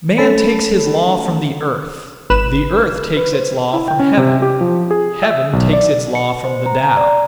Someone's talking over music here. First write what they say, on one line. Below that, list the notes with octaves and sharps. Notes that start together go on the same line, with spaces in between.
Man takes his law from the Earth; the Earth takes its law from Heaven; Heaven takes its law from the Tao.
A3 C#4 A4 A5 B5
G#1 B4 E7
B4
C5
E4
G5
C#4
C3
G4
F3
G#4
E5
B1
D5
C#7
C5
A#5
A#5
D5